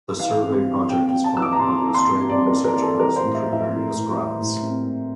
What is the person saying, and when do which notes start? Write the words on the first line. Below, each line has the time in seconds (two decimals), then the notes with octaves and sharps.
The survey project is funded by the Australian Research Council through various grants.
0.20 E3 F5
0.43 C4
0.66 C4
0.89 C3 G5
1.07 G5
1.13 C4
1.24 A5
1.36 E3 E6
1.42 D6
1.53 A#5
1.59 C3 C6
1.83 E3
1.94 C6
2.06 C3
2.29 C4 D5
2.46 A#4
2.53 C4
2.64 A#4
2.76 E3
2.82 A4
2.99 G3 A#4
3.16 C5
3.23 A2
3.34 E5
3.46 A2
3.52 E5
3.69 A2
3.93 A2
4.16 G3
4.39 A2
4.63 C4
4.86 A2